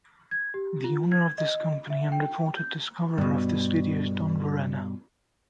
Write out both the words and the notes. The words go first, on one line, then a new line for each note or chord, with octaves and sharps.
The owner of this company and reported discoverer of this video is Don Warrener.
G#6
G4
F4
G#6
D#5
E5
G5
G6
G2 B2